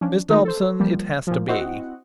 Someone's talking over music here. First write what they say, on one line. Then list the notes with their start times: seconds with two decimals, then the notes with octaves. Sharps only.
Miss Dobson, it has to be.
0.01 F3 C#4 D4
0.29 D#3 F#3 A3 D#4
0.45 A4 C5
0.80 F3 G3 A#3
1.27 A#2 F3
1.48 C4 E4 F#4 D#5 F#5